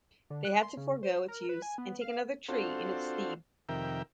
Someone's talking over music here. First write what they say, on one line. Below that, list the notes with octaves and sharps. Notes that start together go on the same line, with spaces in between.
They had to forgo its use and take another tree in its stead.
D3
F#6
C6
C#3
C5
A#4
B4
G#5
B3
F5
C4 D4 F4 F#4 A4 C5
F2 C3 D#3 A#4 E5 G5